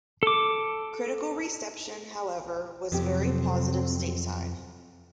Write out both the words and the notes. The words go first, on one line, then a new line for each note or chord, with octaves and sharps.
Critical reception, however was very positive stateside.
A4 D6
F2 C3 F#3 C4 G4